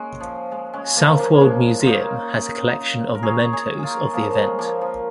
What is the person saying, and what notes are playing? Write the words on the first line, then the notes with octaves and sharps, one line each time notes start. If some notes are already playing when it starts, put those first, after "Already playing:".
Southwold Museum has a collection of mementos of the event.
Already playing: G#3 A#3 C#4
F3
G#3
G#3 C#4
F3 A#3
F3 A#3
A#3
G#3 C#4
F4
A#3 D#4
A#4
G#4 C#5
G#4 C#5
F4 G#4 A#4
F3 A#3
F3
G#3
F3 A#3
F3